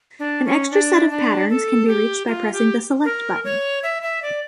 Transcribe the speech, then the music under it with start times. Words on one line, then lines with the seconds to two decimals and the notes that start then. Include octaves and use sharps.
An extra set of patterns can be reached by pressing the "Select" button.
0.19 D4
0.45 C#4
0.71 D4
1.10 D4
1.50 A4
1.88 G4
2.27 F4
2.53 G4
3.05 A#4
3.44 C#5
3.83 E5
4.02 E5
4.22 D5